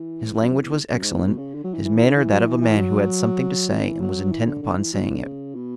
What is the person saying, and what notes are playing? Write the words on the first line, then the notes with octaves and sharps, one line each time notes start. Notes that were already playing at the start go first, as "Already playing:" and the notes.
His language was excellent, his manner that of a man who had something to say and was intent upon saying it.
Already playing: E3
F#2
F#2
E2
F#2
G#2
A2
B2
C#3
D3
F#3
E3
E3
D3
E3
F#3
E3
E3
F#3
F#3
D3
E3
F#3
E3
D3
D3
E3
F#3
E3
D3
C#3
B2